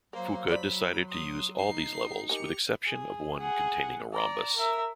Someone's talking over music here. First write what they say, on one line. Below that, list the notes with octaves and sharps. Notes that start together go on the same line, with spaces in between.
Fuka decided to use all these levels with exception of one containing a rhombus.
F#3 A#3 A#4 C5
C5 D5 B5
C6 D#6
D#4 C7
D#4 G4 A#4 G#5 C#7 F7
G#4
G#4 F#5
D5 A#5
A#4 E5